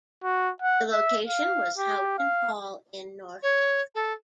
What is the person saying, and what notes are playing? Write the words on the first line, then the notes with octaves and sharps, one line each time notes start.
The location was Houghton Hall in Norfolk.
F#4
F#5
E5
F5
G4
F5
C#5
A4